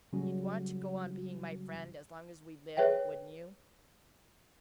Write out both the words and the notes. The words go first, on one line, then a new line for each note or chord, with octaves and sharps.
"You'd want to go on being my friend as long as we live, wouldn't you?"
C#3 F#3 G3 A#3 C#4 F#4
G#4 B4 C#5 E5 G5